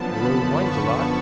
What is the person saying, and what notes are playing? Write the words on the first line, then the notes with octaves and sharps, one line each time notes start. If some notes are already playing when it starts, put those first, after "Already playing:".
The road winds a lot.
Already playing: F#2 D3 F3 B3 A5
B5
C#6